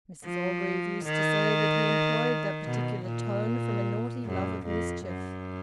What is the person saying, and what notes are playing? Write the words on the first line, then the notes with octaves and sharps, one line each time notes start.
Mrs Orgreave used to say that he employed that particular tone from a naughty love of mischief.
F3
D#3
B2
A#2
F#2
F2
F#2